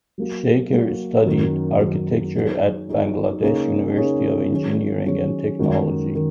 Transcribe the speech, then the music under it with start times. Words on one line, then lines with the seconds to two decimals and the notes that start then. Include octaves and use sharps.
Shaker studied architecture at Bangladesh University of Engineering and Technology.
0.18 F#3 A#3 F#4
0.72 F#3 A#3 F#4
1.26 F#2 D#3 F#3
1.80 F#2 D#3 F#3
2.35 F#3 D#4 G#4 C#5
2.88 F#3 D#4 G#4 C#5
3.42 C#3 A#3 D#4 G#4 C#5
3.97 C#3 A#3 D#4 G#4 C#5
4.51 D#3 F#3 C#4 G#4 C#5
5.05 D#3 F#3 C#4 G#4 C#5
5.59 F#2 D#3 G#3 F#4
6.15 D#3